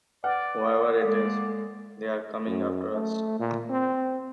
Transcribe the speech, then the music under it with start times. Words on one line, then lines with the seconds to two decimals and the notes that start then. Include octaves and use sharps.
Whoever it is, they are coming after us.
0.24 B4 D5 F#5
1.01 G#3 A#3 A4 D5 F5
2.47 F#2
2.92 A3
3.40 A#2
3.70 C4